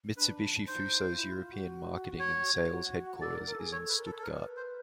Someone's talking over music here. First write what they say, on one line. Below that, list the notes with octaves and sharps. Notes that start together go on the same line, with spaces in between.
Mitsubishi Fuso's European marketing and sales headquarters is in Stuttgart.
D4 B4
D#4 C5
F4
E4
F4
F#4
C#5
F#4
A4 D5
A#4
A#4
A4
G#4
A4 C#5
B4
A#4
A4
A4
A#4 B4
C5